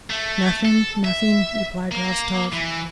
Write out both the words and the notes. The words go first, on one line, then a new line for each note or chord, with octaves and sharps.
"Nothing, nothing," replied Rostov.
A3
A4
E5
A#3
E3